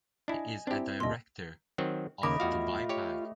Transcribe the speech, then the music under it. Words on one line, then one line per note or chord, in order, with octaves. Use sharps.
He is a director of Dubai Bank.
D4 E4 D#5 G#5
C4 D4 E4 G4
C2 A#2 D#5 C6
D#3 F#3 C4
D#2 C#3 A3 A#3 D#5 B5 D6
E2 F4 F#4 F5
G4 C#5